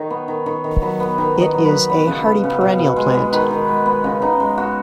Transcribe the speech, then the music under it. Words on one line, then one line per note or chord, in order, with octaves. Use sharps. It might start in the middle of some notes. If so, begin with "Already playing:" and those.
It is a hardy perennial plant.
Already playing: D#3 C#5 D#5
B3
D#3
D#3 C#5
D#3
F#3 B4
B3
D#3
D#3
D#5
F#3
B4
B3
B3
C#3
B3
C#3
B2
B2
G#3
B3
D#3 B4
D#3
G#3
B3
C#3 F#4
C#3 D#4
G#3
B3 F#4